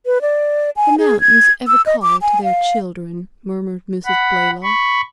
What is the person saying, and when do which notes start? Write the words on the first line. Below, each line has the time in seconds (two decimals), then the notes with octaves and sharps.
"The mountains ever call to their children," murmured Mrs. Blaylock.
0.06 B4
0.22 D5
0.76 G#5
0.98 G#4
1.21 G#6
1.67 E6
1.86 D#5
2.02 D6
2.22 G#5
2.44 F5
4.06 F#5 B5
4.63 B5 C#6